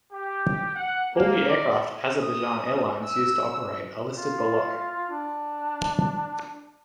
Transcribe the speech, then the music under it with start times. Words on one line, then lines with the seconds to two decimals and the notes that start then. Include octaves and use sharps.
All the aircraft Azerbaijan Airlines used to operate are listed below.
0.11 G4
0.75 F#5
1.15 A#3
1.47 D5
2.19 D#6
3.04 E6
4.15 F4
5.11 D4